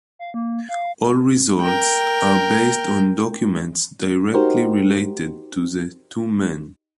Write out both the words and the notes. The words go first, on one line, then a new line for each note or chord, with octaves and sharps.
All results are based on documents directly related to the two men.
F5
A#3
F5
A#4 G5
D#4 F#4 G4 A#4 C5